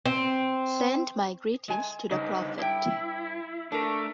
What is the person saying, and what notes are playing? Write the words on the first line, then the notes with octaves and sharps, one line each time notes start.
Send my greetings to the Prophet.
C4
G#3 G#5
G2 C#3 D#4
G2 E4 G5
A3 D4 A#4